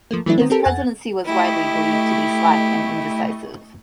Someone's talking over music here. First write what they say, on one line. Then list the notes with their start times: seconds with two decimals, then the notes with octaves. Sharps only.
His presidency was widely believed to be slack and indecisive.
0.11 F3 A3 A#3
0.26 E3 F#3 A3 B3 D4 E4
0.38 D#3 B3 C4
0.50 C4 G4 A4 A#4
0.64 F2 F#5 G#5 A6
1.25 A3 E4 G4 D#5 C#6